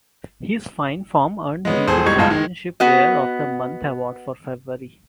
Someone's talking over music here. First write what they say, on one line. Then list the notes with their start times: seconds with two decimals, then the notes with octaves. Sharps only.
His fine form earned him the Championship Player of the Month award for February.
1.65 G#3 B3 C#4
1.87 E1 G#4 A4 C5
2.06 F#1 C#2 G3 D#4 C#6 G#6
2.18 F#1 C#2 G2 G#3 F4 A5
2.30 D#3 G#3 D#4
2.80 B3 F#4 D#5